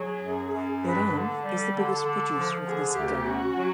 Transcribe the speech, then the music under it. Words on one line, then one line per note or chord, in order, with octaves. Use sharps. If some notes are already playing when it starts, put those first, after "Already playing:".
Iran is the biggest producer of this gum.
Already playing: F#3 G#4
F#2
F#2
G2 B4
D3 A4
G3 A4
D3
D3
F3
D3 G#4
D2 G4
C#4 F#4
F#3